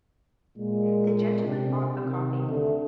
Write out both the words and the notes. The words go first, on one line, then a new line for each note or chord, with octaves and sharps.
The gentleman bought a copy.
A#2 G#3
C3 G4
C3 D#3
D2 D3 A3